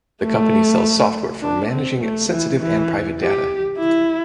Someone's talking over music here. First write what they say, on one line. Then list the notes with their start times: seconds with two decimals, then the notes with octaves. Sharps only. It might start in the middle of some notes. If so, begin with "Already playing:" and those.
The company sells software for managing sensitive and private data.
0.23 A3
1.42 D4
1.71 C4
2.01 A3
2.30 E3
2.60 E3
3.20 G4
3.78 E4